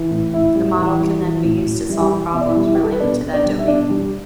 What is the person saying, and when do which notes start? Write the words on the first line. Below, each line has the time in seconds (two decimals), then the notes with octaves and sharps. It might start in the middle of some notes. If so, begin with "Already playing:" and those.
The model can then be used to solve problems related to that domain.
Already playing: E3
0.11 A2
0.33 A2 E4 E5
0.55 G3
0.78 E3
1.00 G3
1.22 E3
1.44 A2
1.66 A2
1.89 G3
1.92 E4
2.00 G3 G4
2.12 E3
2.33 B2 E5
2.41 D5
2.49 E4 E5
2.56 G3
2.66 E4
2.75 G4
2.79 G3 A4
2.92 B4
3.00 B2 D4 D5
3.23 B2
3.34 D4 D5
3.45 G3
3.58 E5
3.68 B2 D4 D5
3.90 G3